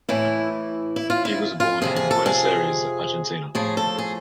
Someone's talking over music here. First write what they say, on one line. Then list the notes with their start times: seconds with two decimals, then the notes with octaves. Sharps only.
He was born in Buenos Aires, Argentina.
0.09 A2 E3 E4
0.96 E4
1.10 F4
1.25 E4
1.60 F4
1.82 F2 C3 F3 G#4
1.96 G#4
2.11 A4
2.26 G#4
3.55 A2 F3 G#4
3.77 A4
3.98 G#4